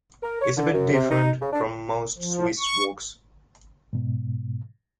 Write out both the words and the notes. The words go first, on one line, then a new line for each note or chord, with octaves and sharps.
It's a bit different from most Swiss works.
A#4
C#5
D3
F#2
C3
D#4
C#3
D4
F3
C#6
G#2 B2